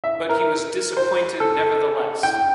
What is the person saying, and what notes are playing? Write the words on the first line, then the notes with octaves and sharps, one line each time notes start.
But he was disappointed nevertheless.
E5
A#4
C5
A4
G5